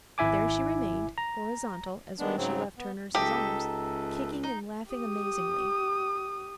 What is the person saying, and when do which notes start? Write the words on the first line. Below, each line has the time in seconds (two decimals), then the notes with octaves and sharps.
There she remained, horizontal as when she left her nurse's arms, kicking and laughing amazingly.
0.18 G#1 E4 E5 G#5 D6
1.18 A#5
2.19 D#3 G#3 B3 D4
2.36 G#2 C#3 F#3 C4
2.78 B3
3.15 C#2 D#4 G4 A4 E5
4.43 D#4
4.92 G4 D#6